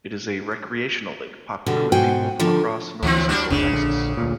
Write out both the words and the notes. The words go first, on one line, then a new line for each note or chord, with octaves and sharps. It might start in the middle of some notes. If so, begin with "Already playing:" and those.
It is a recreational lake popular with people from across north central Texas.
B2 D3 G3
G#2 B2 F#4 C5 G5 G#5
D3 D#3 F3 D4
D2 E3 F3 C4
G3 D4 F#4
F1 C#2 C#3 D4
A#1 D3
D2 A#2